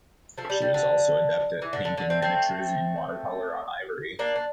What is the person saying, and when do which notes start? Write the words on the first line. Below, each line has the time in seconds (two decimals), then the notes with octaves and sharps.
She was also adept at painting miniatures in watercolor on ivory.
0.38 F3 A3
0.50 G3
0.62 G3
0.74 D3
1.62 E3
1.73 D3
1.85 D3
1.98 D3
2.10 A3 C4
2.22 A3 C4
4.19 A#3 D4
4.36 D4